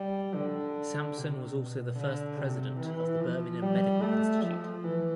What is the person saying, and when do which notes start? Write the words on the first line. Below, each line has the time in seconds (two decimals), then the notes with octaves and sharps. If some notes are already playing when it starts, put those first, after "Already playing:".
Sampson was also the first president of the Birmingham Medical Institute.
Already playing: G3
0.36 D3
1.17 C3
1.58 B2
1.98 D3
2.39 C3
2.80 E3
3.21 F3
3.62 G3
4.02 A3
4.43 F3
4.84 E3